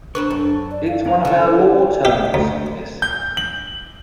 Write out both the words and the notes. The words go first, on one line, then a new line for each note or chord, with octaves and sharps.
It's one of our law terms, miss.
C4 D4 A#4 B4 C#6
F#2 A4
D5
F5
C#4 D4 F5 A#5
D3 G3 C5
G4
D2
G6
F#7